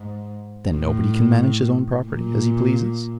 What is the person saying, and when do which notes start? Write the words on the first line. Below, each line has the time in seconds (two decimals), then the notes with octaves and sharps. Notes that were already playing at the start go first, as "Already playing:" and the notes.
"Then nobody can manage his own property as he pleases?"
Already playing: G#2
0.71 A2
2.07 A#2